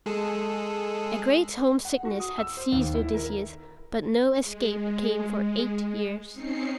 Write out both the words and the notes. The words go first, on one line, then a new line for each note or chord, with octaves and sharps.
A great homesickness had seized Odysseus, but no escape came for eight years.
G#3 G#4 A4
F#5
F#4
D#6
E6
C5
D#2
E4
A#4
G#3
C4 C#4 D#4 C7 C#7